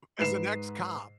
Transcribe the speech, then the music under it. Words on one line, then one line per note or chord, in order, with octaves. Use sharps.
as an ex-cop,
G#2 B4 C7 E7